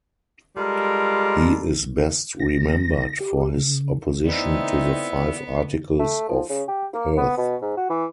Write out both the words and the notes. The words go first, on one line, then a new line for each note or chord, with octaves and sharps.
He is best remembered for his opposition to the Five Articles of Perth.
G3 G#3 F4 A4 A#4
A#6
G4
C#3
A3 B3 C4 D#4 E4 D5
A3
F3
C#3
G4
A#3
B3
B2
G#2
F#4
E3